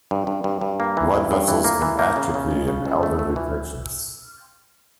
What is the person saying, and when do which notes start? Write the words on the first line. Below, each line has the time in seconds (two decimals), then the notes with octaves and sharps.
Blood vessels can atrophy in elderly patients.
0.11 G2
0.27 G2
0.44 G2
0.61 G2
0.80 A#3
0.97 E3
1.14 G2
1.31 G2
1.48 E3
1.64 A#3
1.82 E3
1.99 A#3
2.16 C#3
2.34 C#3
2.51 C#2
2.68 C#3
2.85 C#2
3.03 A3
3.19 A3
3.36 E3